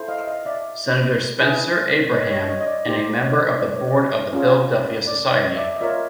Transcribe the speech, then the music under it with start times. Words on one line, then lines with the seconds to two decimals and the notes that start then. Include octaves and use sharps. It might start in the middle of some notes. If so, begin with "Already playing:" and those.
Senator Spencer Abraham, and a member of the Board of the Philadelphia Society.
Already playing: E4 A4 C5
0.08 D#5 F5
0.27 D#5 F5
0.46 D5 E5
1.38 E4 G#4 B4
2.12 C#5 D#5
2.31 C#5
2.49 C#5 D#5
2.61 D#5
2.67 D5
2.86 D#4 G4 C5 D5
3.22 C#5 D#5
3.59 D5
3.73 C#5
3.87 D5
4.33 C#4 F4 G#4 C#5
5.07 D5
5.31 C#5 D#5
5.56 D5 E5
5.76 D#5
5.81 F4 A#4 C#5 D5 E5